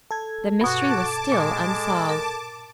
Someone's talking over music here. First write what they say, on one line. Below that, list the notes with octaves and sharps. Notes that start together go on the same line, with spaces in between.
The mystery was still unsolved.
A4 G#6
G2 B2 F#4 A5 D6
A#2 G#3
A#4